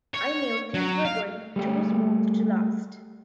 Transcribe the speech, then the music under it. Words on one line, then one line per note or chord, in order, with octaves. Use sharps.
I knew things were going too smooth to last.
C#5
F#3
F5
G3 A3 G4